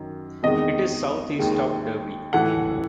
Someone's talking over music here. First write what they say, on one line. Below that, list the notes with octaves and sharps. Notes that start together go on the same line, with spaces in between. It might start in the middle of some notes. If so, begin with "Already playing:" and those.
It is south east of Derby.
Already playing: F#2 D#3
E2 C3 D#3 G#3 D#5
D#2 D#3 G#3
A2 E3 A3 F#5